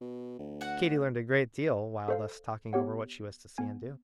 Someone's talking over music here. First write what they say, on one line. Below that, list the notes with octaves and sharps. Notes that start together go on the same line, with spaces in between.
Katy learned a great deal while thus talking over what she was to see and do.
B2
D2
F#4 F#5
A4 C5 F5
B3 G4 C#5 F#5
B3 G#5 G#6